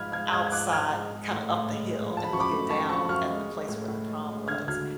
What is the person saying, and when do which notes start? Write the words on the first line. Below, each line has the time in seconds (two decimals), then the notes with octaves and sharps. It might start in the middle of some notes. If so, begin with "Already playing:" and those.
outside, kind of up the hill and looking down at the place where the prom was,
Already playing: G#2 F3 B5 F6 G#6
0.12 G#3 F6 G#6
0.32 G#2 F6 G#6
0.46 G#6
0.52 F3 D6 F#6
0.72 G#2 F6 G#6
0.91 G#3
1.12 G#3
1.31 A2
1.52 A2
1.72 G#3
1.91 G#3
2.10 F3
2.17 A5
2.24 B5
2.31 F#2 C#6
2.40 B5 D6
2.51 A3
2.70 F#2 A5 C#6
2.89 F3 A5 C#6
3.09 F#2 C#6 F6
3.30 G#3
3.48 G#3
3.69 A2
3.88 A2
4.08 G#3
4.29 G#3
4.48 D3 F6 G#6
4.68 D2 F6 G#6